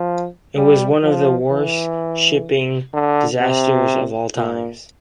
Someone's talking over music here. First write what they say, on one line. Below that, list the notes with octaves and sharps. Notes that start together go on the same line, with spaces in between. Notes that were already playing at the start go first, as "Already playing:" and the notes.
It was one of the worst shipping disasters of all times.
Already playing: F3
G3
F3
E3
D3
C3
A#2